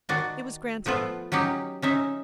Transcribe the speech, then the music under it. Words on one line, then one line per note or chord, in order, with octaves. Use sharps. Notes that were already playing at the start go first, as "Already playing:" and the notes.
It was granted.
D#3 F#4 D5 A5
F3 A3 B3 F4
F#3 C#4 D#4 G4
C#4 D#4 E5